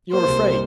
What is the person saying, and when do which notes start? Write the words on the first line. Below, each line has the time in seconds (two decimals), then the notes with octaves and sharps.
You're afraid!
0.12 A#3 C5
0.28 C2
0.44 G3